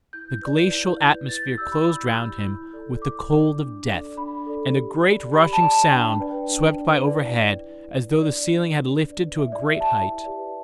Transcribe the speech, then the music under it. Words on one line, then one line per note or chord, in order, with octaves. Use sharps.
The glacial atmosphere closed round him with the cold of death, and a great rushing sound swept by overhead as though the ceiling had lifted to a great height.
E4 G6
B4 D5
E4
B4 D5
E4 A6
G6
G4 D5 E6
B5
E4 G6
G4 D5
E4
A4 D5
E4 D6
A4 D5
D4
A4 D5
D4 B5
A4 D5
G4
D5
G4 B5
A5
D5
A5
D4 G5
B4 D5
D4
B4 D5
E4 D5
B4 D5
E4
B4 D5
D4 D5
B4 D5
D4
B4 D5
E4 E5
D5
G4 B4 D5 E5
A5
E4
G4 B4 D5